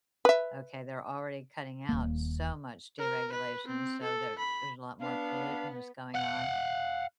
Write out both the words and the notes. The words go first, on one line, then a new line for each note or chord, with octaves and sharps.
Okay, they're already cutting out so much deregulation, so there there's a lot more pollutants going on.
B4 E5
D#1 A#3
A#4
B4
C4
A4
B5
B3 D4 F5
F5 F#5